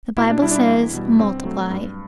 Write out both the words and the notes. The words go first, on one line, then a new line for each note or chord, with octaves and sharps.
The Bible says: Multiply.
B2 E4
D4
G3 E4
D4
E4
E2
B2 G3
G2 C4
F#3 A3
G2